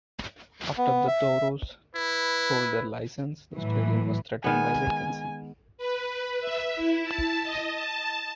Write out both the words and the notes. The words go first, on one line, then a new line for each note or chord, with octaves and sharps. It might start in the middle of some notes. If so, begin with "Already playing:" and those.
After the Toros sold their licence, the stadium was threatened by vacancy.
B3
E5
E4 B4
A2 E3 F#3
D#3 G#3 B3 G#5
B4
E5
E4
A5
D#5
A5